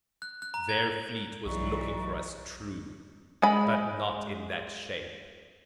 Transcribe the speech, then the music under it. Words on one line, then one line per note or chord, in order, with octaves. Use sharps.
Their fleet was looking for us, true, but not in that shape.
F#6
F#6
A#5
G#6
B1 E3 F#3 D5 D#5 A#5 C#6
G#3 B5